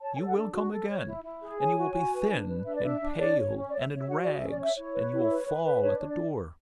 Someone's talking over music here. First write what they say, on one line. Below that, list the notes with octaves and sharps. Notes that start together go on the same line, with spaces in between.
You will come again, and you will be thin and pale and in rags, and you will fall at the door.
C#5 A5
G#5
A4
F#5
D4
F#4
A4
C#5
E4
E4
G#4
C#5 G#5
F#4
F#4
B4
D4
B4
D4 E5
D5
D4 E5
D4
C#5 D5
C#5
C#4
C#5 D5
E5
D5
C#5
E5
F#4 F#5
G#4 D5
E5
C#4
D5
C#5 E5
E4 C#5
B4
E4
B4
B4
B4
D4 C#5
C#5
D5